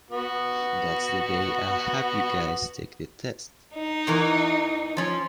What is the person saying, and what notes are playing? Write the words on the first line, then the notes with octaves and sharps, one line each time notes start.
That's the day I'll have you guys take the test.
B3 F#4
D#4
E2 E3 A#4
F3 C#4